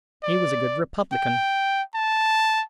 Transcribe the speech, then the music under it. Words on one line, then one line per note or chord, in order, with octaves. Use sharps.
He was a good "Republican."
D5
G5
A5